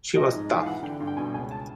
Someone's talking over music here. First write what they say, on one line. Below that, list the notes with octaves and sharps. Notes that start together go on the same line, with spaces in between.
She was tough.
F3 D#5
G#2
E3 E5
F5
E3 F#5
D3 G5
G2
G5
B2 G#5
C#2 G#5
A5